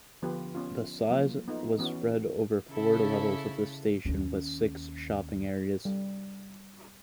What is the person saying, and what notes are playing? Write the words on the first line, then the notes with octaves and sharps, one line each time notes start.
The size was spread over four levels of the station with six shopping areas.
D3 F3 B3 F4 G4 B4
B3 C#4 F4
F3 F#3 A#3 F4
B3 D#4 F4 A4
E3 B3 C#4 F#4
C#3 E4 A4
D#2 C#4
G3